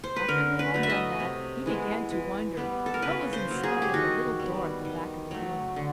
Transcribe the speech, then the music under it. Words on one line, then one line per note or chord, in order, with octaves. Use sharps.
After he had done that, he began to wonder what was inside of the little door at the back of the room.
C5
B4
D3 A#4
B4
F#3 A3
E5
D#5
C3
E3 G#3 B3
E3
G3 B3
A4
A#4
C#3 B4
C5
F#3 A#3
G#4
G4
D#3 F#4
G3 B3
D#3
F#3 A3
D3